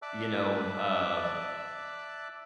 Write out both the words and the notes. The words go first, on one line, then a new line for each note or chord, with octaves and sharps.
you know, uh
D5 E5 A5 D6 E6 F#6